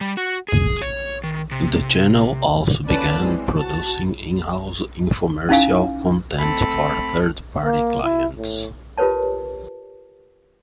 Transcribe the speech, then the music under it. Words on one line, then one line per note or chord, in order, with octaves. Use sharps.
The channel also began producing in-house infomercial content for third party clients.
G3
F#4
G#4
C#5
D#3
C3
F3 C#4 A4 B4 D5 A5
E3 G#3 C4 C#4
F#4 A5
C#4 D#4 E4 F5 G#5
A3 C4 A4 B5
A#3
E4
A2
F4 G4 A#4 B4 C#5 A5